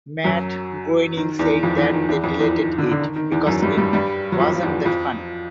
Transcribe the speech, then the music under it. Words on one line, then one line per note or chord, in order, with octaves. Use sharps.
Matt Groening said that they deleted it because it "wasn't that funny".
F#2 F#3
D#3
E2 E3
F2 F3
E2 E3
D#3
E2 E3
F2 F3
E2 E3
D#3
D3
D3
D#3
D#3
E2 E3
F#2 F#3
G2 G3
G2 G3
G2 G3
F#3
F2 F3
F3
E2 E3
F2 F3